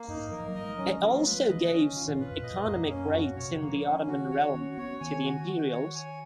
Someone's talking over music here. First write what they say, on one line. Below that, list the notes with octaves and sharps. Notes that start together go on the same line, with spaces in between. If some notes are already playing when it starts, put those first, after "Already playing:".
It also gave some economic rights in the Ottoman realm to the Imperials.
Already playing: A#3
F#2 D#4
G#2
F3 A#4
F#3
D#5
G#3
F#3 C#4
F3
F#3 F4
A#3
G#3 B4
F#3
D#3 D#5
D#3
D#3 C#4
D#3
D#3 F4
A#2
A#2 B4
F#2
A#2 D#5
B2
F#2 A#3
C#4
F#2 F#4
A#2
B2 C#5
C#3
F3 A#3
C#4
D#3 F#4
D#3 C#5
C#4 F#4
B3 C#5
D#3 G#5
F#4
F#4
C#5
G#5